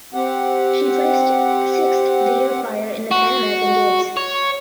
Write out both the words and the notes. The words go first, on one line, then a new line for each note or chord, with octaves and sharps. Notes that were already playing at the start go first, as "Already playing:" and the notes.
She placed sixth the year prior in the Pan American Games.
C4 G4 F#5
F#4
C#5